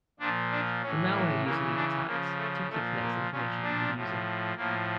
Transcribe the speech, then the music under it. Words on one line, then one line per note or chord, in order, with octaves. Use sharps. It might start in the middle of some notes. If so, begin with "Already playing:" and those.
The malware used in these attacks typically collects information on the user.
A#2 F3 D4
D4
A2 E3 C#4
A#3
C#3 E3 A#3
D4
C#3 F3 A#3
A3
A#2 F3 A3
A#3
A#2 F3 C#4
D4
A2 F3
A2 F3 A#3